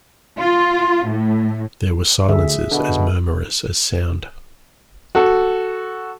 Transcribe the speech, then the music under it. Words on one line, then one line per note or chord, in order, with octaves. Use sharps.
There were silences as murmurous as sound.
F4
A2
D2 G#4 E5
B2 D3
F#4 A4